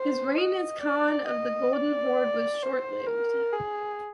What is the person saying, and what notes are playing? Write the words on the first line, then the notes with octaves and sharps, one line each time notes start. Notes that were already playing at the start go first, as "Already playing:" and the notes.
His reign as khan of the Golden Horde was short-lived.
Already playing: C5
D#5
D5
D#5
D5
C5
A#4
G#4